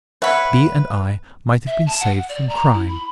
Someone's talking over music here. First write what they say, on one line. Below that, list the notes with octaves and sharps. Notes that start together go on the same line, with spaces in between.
B. and I might have been saved from crime.
B4 C#5 E5 F#5 B5
E5
A5
F#5
D5
A#5
E4
B5